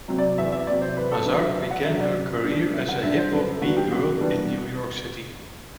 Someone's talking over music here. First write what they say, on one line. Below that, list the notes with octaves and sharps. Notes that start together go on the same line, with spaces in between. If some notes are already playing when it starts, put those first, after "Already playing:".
Mazar began her career as a hip hop b-girl in New York City.
C3 F#3 C4
D5
E2 E5
E5
C3 F#3 C4 D5
C5
E2 B4
A4
D3 F#3 B4
E5
E2 E5
F#5
D3 F#3 E5
D5
F#2
D3 G3 D4
F#2 E5
F#5
D3 G3 D4 E5
C5
F#2 B4
E3 G3 B3 D4 F#4
G4
F#2 F#4
E3 G3 B3 D4